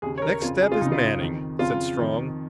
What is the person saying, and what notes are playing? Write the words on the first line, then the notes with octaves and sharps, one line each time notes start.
"Next step is Manning," said Strong.
D#2 C#3 G#4
C#5
A#4
F2 C#3 F4
G#4
F4
C#2 C#3 D#4
F4
F2 D#3
F2 C#3 F4
F2 D#3